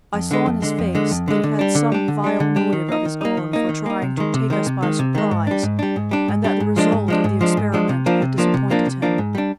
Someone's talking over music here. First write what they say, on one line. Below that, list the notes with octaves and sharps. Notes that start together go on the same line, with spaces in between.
I saw in his face that he had some vile motive of his own for trying to take us by surprise, and that the result of the experiment had disappointed him.
F2
D3 G#3
F2
D3 G#3
F2
D3 G#3
F2
D3 G#3
D3
G3 D4
D3
G3 D4
D3
G3 D4
D3
G3 D4
D#3
A#3 D#4
D#3
A#3 D#4
D#3
A#3 D#4
D#3
A#3 D#4
C3
D#3 G#3
C3
D#3 G#3
C3
D#3 G#3
C3
D#3 G#3
G#2
G3 D4
G#2
G3 D4
G#2
G3 D4
G#2
G3 D4
G#2
F3 G#3 D4
G#2
F3 G#3 D4
G#2
F3 G#3 D4
G#2
F3 G#3 D4
C3
F3 A#3 D4
C3
F3 A#3 D4
C3
F3 A#3 D4
C3
F3 A#3 D4
G#2
G3 D4